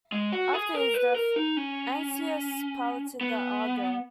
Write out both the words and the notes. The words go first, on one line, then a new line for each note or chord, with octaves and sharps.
After his death, Ancaeus piloted the "Argo".
G#3
F#4
G#4
A#4
B4
A#4
D#4
C#4
B3